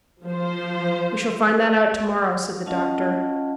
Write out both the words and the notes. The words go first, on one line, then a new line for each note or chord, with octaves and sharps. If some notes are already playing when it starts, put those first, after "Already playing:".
"We shall find that out to-morrow," said the doctor.
F3 C5
C#4 F4 D#5 F5 F#5 A5